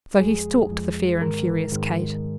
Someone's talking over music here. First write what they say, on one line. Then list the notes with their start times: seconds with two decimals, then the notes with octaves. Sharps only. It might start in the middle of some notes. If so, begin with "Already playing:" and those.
So he stalked the fair and furious Kate.'
0.20 F2 F3 G#3 G#4
0.71 F2 F3 G#3
1.22 G#2 D#3 G#3 A#4
1.72 G#2 D#3 G#3